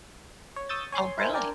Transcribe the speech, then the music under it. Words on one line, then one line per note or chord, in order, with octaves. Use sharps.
Oh, really?
C#5
C#6 D#6 E6 G6 A6
C#5 G#5 C6
E4 A#4 C5 G#5
D4 A#4 D5 G5 G#5